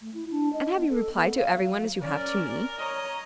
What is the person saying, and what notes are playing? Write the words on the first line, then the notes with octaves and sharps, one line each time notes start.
"And have you replied to every one as you have to me?"
A3
E4
D4
D#5
B3
A4
B3
F5
F#3
C#4 A#4 D5
C#5 D#5 A#5